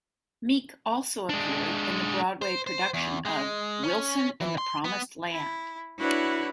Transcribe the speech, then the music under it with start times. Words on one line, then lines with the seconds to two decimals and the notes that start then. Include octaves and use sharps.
Meek also appeared in the Broadway production of "Wilson in the Promised Land".
1.29 G#3 D4
2.42 C5
2.67 C5
2.94 E2
3.25 G#3
3.83 C#4
4.41 E3
4.58 C6
4.85 B3
5.30 E4
5.98 D4 E4 F#4 B4 C#5